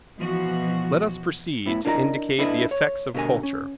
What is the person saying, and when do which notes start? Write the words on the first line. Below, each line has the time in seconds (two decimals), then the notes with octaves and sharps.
Let us proceed to indicate the effects of culture.
0.19 B2 E3 F3 F#4
1.66 A2 B3 E4
1.85 D4 E4 A#4 D5 D#5 A#5
2.38 D4 E4 A4 B4 D5 D#5
2.71 C#5
3.14 B2 D3 G4 A#4 G#5
3.43 C#4